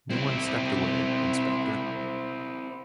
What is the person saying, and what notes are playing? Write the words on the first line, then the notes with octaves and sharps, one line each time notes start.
No one stepped away, inspector.
C4 E4